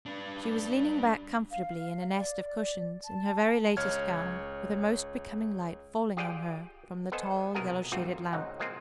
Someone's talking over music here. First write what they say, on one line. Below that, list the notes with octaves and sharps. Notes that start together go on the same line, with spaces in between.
She was leaning back comfortably in a nest of cushions, in her very latest gown, with a most becoming light falling on her from the tall, yellow-shaded lamp.
D4 B4
F5
D5
A5
C#2 C#5 F6 G#6
F4 G4 G#4 D5 F#5 G5
B3 A4 C5 D#5 G#5
C2 B2 G#4 A#4 F#5 G#5
F#2 A#2 A3 C4 F4 F#4
G#1 C#2 D#4 F#5
F3 G#3 A#3 C4 F4